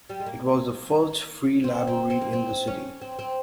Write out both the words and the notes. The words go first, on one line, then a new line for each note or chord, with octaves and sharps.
It was the first free library in the city.
G3
G#3
A#3
C4
C4
C4
A#3
C4
C#4
C4
C4